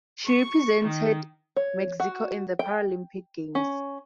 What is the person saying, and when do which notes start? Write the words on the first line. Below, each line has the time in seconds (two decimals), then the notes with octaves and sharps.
She represented Mexico in the Paralympic Games.
0.24 C#6
0.83 D#3
1.56 C#5
2.00 F#4
2.59 G5
3.55 C#4